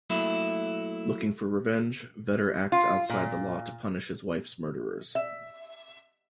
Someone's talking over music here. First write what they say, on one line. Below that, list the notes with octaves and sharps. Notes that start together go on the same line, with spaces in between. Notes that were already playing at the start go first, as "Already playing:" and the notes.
Looking for revenge, Vetter acts outside the law to punish his wife's murderers.
F#3 A3 A#3 E4
F4
A#2
E5